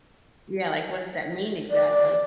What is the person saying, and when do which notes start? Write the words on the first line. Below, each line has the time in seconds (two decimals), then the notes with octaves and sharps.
Yeah, like what does that mean exactly?
1.71 D5